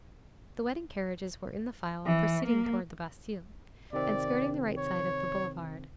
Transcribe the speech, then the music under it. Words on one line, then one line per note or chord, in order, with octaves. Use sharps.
The wedding carriages were in the file proceeding towards the Bastille, and skirting the right side of the Boulevard.
E3
A#3
C3 D#3 C4 D5
C#5